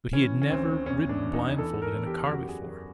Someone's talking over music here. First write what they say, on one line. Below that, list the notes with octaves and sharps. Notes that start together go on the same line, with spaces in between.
But he had never ridden blindfolded in a car before!
E3 C#4
C#4
D2 C4
E2 C#4
D4
E2
D#4
E3 A4
A#4
E2
G4
F#2 F#4
G4
G#4
F#2